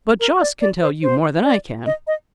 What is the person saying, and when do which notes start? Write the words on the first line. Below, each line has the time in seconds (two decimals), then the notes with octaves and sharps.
But Jost can tell you more than I can.
0.20 A#4
0.40 D5
0.61 D5
0.82 C5
1.03 C5
1.44 D5
1.86 D#5
2.07 D#5